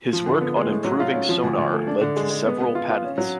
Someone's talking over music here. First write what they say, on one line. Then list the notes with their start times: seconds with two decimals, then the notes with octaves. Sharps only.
His work on improving sonar led to several patents.
0.13 F3
0.26 D3
0.41 B3
0.56 G#3
0.71 A2
0.84 F#3
1.00 F4
1.14 C#4
1.29 F3
1.44 D2
1.58 D2
1.73 A3
1.87 D4
2.01 D3
2.16 G#3
2.30 G#3
2.46 B3
2.60 B3
2.75 F4
2.89 F4
3.04 C#4
3.18 F#3